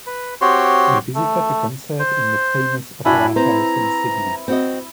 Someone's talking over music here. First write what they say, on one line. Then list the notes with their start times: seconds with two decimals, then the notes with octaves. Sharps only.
We visited a concert in the famous opera house in Sydney.
0.06 B4
0.41 C4 F#4 G4 C#5 C6
1.15 A3
1.99 C5
3.05 F#2 D4 E4 F#4 G5 G#5 B5
3.36 C4 B4 C5 A#5
4.48 C4 F#4 D#5